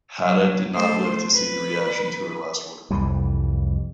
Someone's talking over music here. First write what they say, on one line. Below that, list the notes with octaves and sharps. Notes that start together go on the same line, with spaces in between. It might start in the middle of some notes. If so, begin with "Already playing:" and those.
Hatta did not live to see the reaction to her last work.
F#3
A3 C5
B4
C2 F2 E3 G3